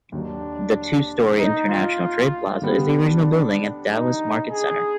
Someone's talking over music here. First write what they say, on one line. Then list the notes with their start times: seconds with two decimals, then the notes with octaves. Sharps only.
The two-story International Trade Plaza is the original building at Dallas Market Center.
0.12 D#2 D3 F#3 D4
1.38 D#4
1.69 F4
2.62 D3 G3 B3
2.93 D4
3.87 D#4
4.49 G#4